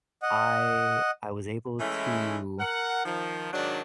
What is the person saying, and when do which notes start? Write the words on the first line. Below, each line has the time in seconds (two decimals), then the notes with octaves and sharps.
I I was able to
0.22 D#5 F#5
1.80 E3 G#3 A3 C#4 E4
2.59 A#4 F#5
3.05 D#3 F3
3.52 G#2 D#3 F#3 D4